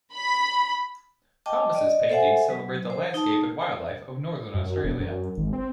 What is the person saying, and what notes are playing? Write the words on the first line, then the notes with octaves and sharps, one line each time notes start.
Thomas's paintings celebrate the landscape and wildlife of Northern Australia.
B5
D#5 G5 A5 D6
D5 D#5
A4 C5 E5 F#5 G#5
F#3
C5
D#4 A5
F#2
E1
F#2
G#1
C4